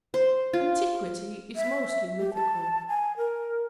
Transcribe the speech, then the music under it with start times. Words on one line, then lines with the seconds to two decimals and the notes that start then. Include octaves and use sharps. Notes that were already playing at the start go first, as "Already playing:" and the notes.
Antiquity is mostly mythical.
0.14 C5
0.53 F4
1.56 E5
2.19 G4
2.34 A5
2.89 G#5
3.17 A#4